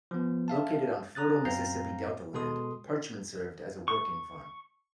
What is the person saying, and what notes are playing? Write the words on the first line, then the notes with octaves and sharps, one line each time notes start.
Located on fertile Mississippi Delta land, Parchman served as a working farm.
F3 B3
E5 F5 A5
A#5 D#6 F#6 A6
F#2 C4 F5 A#5 G6 C7
B2 G#3 A4 C6 D#6
C#6